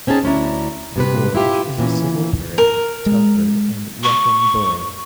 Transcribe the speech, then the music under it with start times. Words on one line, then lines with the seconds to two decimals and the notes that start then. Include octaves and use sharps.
The Gorge is a civil parish of Telford and Wrekin borough.
0.07 C4 C#4 D#4 G#4 A5
0.24 D2 C#4 D4 E4 A#5
0.96 G2 C3 B4
1.35 E4 F4 G4
1.78 A#2 E3 C#4
2.58 A#4
3.06 G#3
4.03 C#6